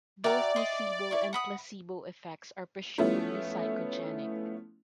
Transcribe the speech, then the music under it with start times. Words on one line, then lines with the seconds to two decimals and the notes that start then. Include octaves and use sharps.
Both nocebo and placebo effects are presumably psychogenic.
0.24 F#4 A#4 D5 E5 G5 A6
0.56 D#5 C6
1.11 E4 C#6
1.33 F#5 B5 D#6
2.98 F3 A3 B3 C#4 E4